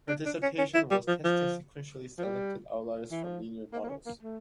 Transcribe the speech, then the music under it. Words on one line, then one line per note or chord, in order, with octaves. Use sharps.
Her dissertation was "Testing Sequentially Selected Outliers from Linear Models".
D4
D4
C#4
C#4
E4
G3
F3
F3
F3
G3
E3
F3
A#3
A#3
C#4
A#3
A3